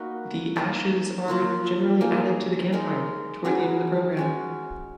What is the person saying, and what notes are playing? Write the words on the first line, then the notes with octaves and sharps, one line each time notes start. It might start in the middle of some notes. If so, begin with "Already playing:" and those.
The ashes are generally added to the campfire toward the end of the program.
Already playing: A#3 D#4 F#4 B4
A#3 D#4 A#4
F3 A#3 F4
A#3 D#4 G#4
G#3 D#4 A#4
F#3 C#4 G#4 B4
G#3 C#4 F#4